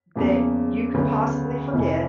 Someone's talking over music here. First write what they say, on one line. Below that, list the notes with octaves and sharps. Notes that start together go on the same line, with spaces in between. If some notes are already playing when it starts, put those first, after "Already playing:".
that you could possibly forget,
E2 C#3 F3 A#3
D2 C#3 F#3 B3
F1 F2 C3 E3